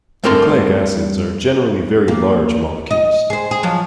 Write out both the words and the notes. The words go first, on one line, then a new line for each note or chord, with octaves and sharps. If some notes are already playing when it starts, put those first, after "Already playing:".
Nucleic acids are generally very large molecules.
G2 A3 C4 A#4 A5 C6
A#3
D#5
G#4 C5
G#4
F3 F#3